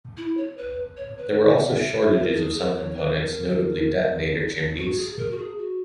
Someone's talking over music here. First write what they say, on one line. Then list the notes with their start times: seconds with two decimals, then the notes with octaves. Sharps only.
There were also shortages of some components, notably detonator chimneys.
0.17 E4
0.37 C#5
0.57 B4
0.97 C#5
1.18 B4
1.47 G#5
1.57 F#5
1.67 E5
2.17 A#4
2.37 G#4
2.57 A#4
2.78 C#5
2.97 B4
3.17 A#4
4.78 F#4
4.98 G#4
5.18 A#4
5.31 F#4
5.37 G#4
5.58 F#4